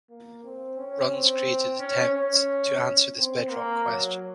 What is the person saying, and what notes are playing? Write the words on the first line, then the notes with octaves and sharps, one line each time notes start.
Runs created attempts to answer this bedrock question.
A#3
C4
C#4
C4
C#4
C#4
C4
A#3
F#3